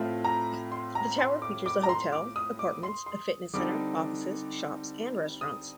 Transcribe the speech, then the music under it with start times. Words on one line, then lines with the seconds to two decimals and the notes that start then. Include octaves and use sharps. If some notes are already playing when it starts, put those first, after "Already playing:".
The tower features a hotel, apartments, a fitness center, offices, shops and restaurants.
Already playing: A2 A3 C4 F4
0.24 A#5
0.72 C6
0.95 A#5
1.19 C6
1.42 D6
1.66 D6
1.83 A#5
1.89 C6
2.12 D6
2.36 D#6
2.59 D6
2.83 C6
3.06 C6
3.53 D3 G3 C4 D#4 D6
5.41 D#6